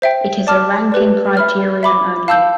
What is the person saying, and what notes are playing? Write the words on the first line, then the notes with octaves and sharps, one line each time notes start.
It is a ranking criterion only.
C5 E5 G5
D5 A5 D6 F6
G4 B4 D5
E5 B5 F6
E5 B5 D6
F5 A5 E6 G6